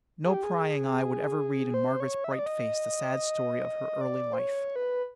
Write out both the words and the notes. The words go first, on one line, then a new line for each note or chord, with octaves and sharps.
No prying eye would ever read in Margaret's bright face the sad story of her early life.
G#4
G4
G#4
C5
C#5
E5
D#5
D5
D#5
D5
C5
C#5
B4